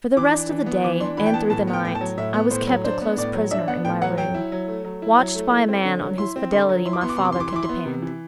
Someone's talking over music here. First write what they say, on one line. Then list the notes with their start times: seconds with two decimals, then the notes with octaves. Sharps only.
FOR the rest of the day, and through the night, I was kept a close prisoner in my room, watched by a man on whose fidelity my father could depend.
0.17 E3 D6
0.33 D4
0.51 E3
0.66 B3
0.84 E3 D6
1.00 D4 C6
1.17 E3 B5
1.26 G5
1.33 B3 A5
1.50 A2 A5
1.67 B3
1.73 G5
1.85 A2 G5
1.95 A5
2.01 F#3
2.17 A2 E5
2.34 B3
2.50 A2 C5
2.67 F#3
2.84 D4 C5
3.01 B3
3.17 A2 D5
3.34 F#3
3.51 D4 E5
3.68 B3 F#5
3.85 A2 G5
4.02 F#3 F#5
4.17 F#3 G5
4.34 E4
4.52 F#3
4.68 A3
4.85 F#3
5.02 E4
5.19 F#3
5.35 A3
5.51 E4
5.69 C4
5.85 D3
6.02 F#3
6.18 E4 C6
6.36 C4
6.52 D3 C6
6.69 F#3
6.85 E4 C6
6.93 D6
7.01 B3 C6
7.09 D6
7.17 C3 C6
7.25 D6
7.32 C6
7.36 E3 D6
7.48 C6
7.52 E4 D6
7.64 C6
7.69 B3
7.86 C3
8.02 E3